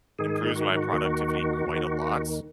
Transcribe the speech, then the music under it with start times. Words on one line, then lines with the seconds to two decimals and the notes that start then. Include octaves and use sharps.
improves my productivity quite a lot,
0.19 G#2 D#3 G#4
0.56 F#4
0.93 D#2 D#3
1.66 D#2 D#3